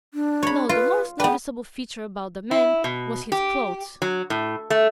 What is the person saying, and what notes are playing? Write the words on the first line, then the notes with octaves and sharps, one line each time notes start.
No, the most noticeable feature about the man was his clothes.
D4
C#5 B5
F4 B4
B3 B4 G5
E4
B2
G4
F#3
A2
A3